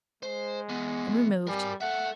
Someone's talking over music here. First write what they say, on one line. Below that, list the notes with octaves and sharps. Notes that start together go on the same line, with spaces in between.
And we moved.
G#3 C5
E3 B3
G3 A#4 G#5
A4 E5 F#5